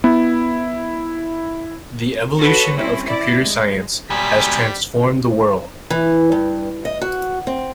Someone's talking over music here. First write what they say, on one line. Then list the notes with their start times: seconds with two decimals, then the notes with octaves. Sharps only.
The evolution of computer science has transformed the world.
0.04 B3 E4
2.40 F4 F#4 A4 B4 C#5
2.75 G3 C4 C#4 E4
3.07 E4 D5
3.40 G#3
4.10 G#2 B2 G3 G#5 B6
5.90 E3
6.32 G2
6.85 D#5
7.01 F#4
7.47 C4